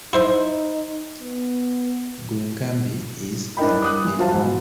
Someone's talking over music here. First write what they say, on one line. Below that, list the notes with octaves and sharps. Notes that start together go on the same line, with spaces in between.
Gullinkambi is the ringleader.
D#4 E4 C5 E5
B3
D4 E4 A#4 D#5 G5 B5
D6 D#6 F#6
E3
F4 F#4 C5 F5 A5
G#2 E3
B2